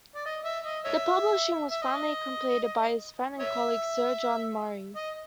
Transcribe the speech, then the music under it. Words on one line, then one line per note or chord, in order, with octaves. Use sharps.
The publishing was finally completed by his friend and colleague Sir John Murray.
D5
D#5
E5
D#5
C#5 E5
E5
D#5
C#5 E5
D#5